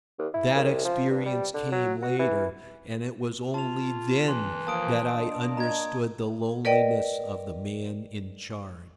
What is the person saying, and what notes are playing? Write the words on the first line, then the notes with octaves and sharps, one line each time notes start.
That experience came later, and it was only then that I understood the loneliness of the man in charge.
D#2
E4
C2
F3
G2
G3
D3
F#3
F#4
E3
F4 A5 F7
E3 C6
F3 A#3 A5 D#6 D7
A#3 D4 D#5
A#5 G#6
A#4 B4 D5 D#5 G5